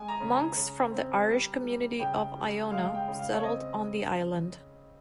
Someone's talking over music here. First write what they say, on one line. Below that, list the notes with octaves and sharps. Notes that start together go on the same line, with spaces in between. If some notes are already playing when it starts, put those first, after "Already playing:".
Monks from the Irish community of Iona settled on the island.
Already playing: G#3 G#5
A#5
C#3
A#5
C#3
C4
G3
G3
C#3 G5
G3
G#3 F5
G5
C#3
F5
C#5
C4 D#5